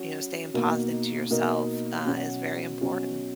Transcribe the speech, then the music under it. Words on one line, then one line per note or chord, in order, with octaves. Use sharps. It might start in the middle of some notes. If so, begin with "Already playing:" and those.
you know, staying positive to yourself, uh, is very important.
Already playing: F#3 C#4 F#4 C#5
B2 A#3 D#4 A#4
B2 A#3 D#4 A#4
B2 F#3 C#4 F#4
B2 F#3 C#4 F#4